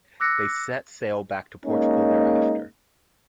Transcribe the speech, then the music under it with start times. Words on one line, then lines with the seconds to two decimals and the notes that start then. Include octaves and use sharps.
They set sail back to Portugal thereafter.
0.20 D6 E6 F#6 A#6 C#7
1.65 G#3 A#3 C#4 D#4